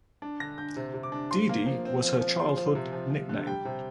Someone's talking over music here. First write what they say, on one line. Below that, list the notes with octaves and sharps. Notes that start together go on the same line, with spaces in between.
"Didi" was her childhood nickname.
D4
D3 A#6
D3 G6
C3
C3
D6
D4
F3 C6
A#3
F3
C4
F3
F3
F3 C6
F3
C3
F3
F3
D3
G3 G5
C3